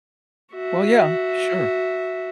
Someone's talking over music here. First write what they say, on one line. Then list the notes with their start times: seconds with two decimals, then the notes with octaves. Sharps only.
Well, yeah, sure.
0.54 F#4 E5